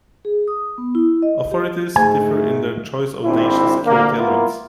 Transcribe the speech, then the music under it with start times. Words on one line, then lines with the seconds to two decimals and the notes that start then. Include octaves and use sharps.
Authorities differ in their choice of nation security elements.
0.25 G#4
0.48 D#6
0.78 B3
0.95 E4
1.22 D#5
1.51 G4
1.96 G#2 A3 G#5
3.24 G#1 C4 D4 E4
3.85 D2 D3 A#3
4.17 A#3 B3 E4 F4 A#4